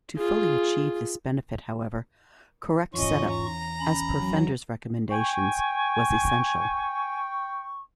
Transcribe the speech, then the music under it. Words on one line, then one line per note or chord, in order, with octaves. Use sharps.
To fully achieve this benefit however, correct setup, as per Fender's recommendations, was essential.
F4 G#4
E2 G#2 C#4 F4 D#5 C#6
A#5
C#4 B5
F#3
G5 G#5 C#6